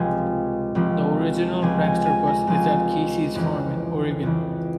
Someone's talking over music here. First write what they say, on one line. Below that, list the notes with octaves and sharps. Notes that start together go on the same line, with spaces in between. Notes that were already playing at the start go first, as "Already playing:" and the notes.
The original Prankster bus is at Kesey's farm in Oregon.
Already playing: C#2 C3 F3 G#5
C#2 C3 F3
C#2 C3 F3 G#5
G#5
G#5
A#5
C#2 C3 F3 G#5
F2 C#3 E3 A#5
F2 C#3 E3